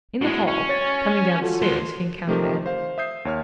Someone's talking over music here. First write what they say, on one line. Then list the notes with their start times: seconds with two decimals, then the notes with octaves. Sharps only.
In the hall, coming down the stairs, he encountered Anna.
0.21 A2 G#3 E4 F#4
0.48 C#4
0.69 C#5 A6
1.42 F4 F#4 A4
1.62 A3 C6
2.27 C3 F3 A3 D#4 G4 A#4
2.66 C5 F5
2.98 E5 D#6 G6 C7
3.25 D#2 C#5 F6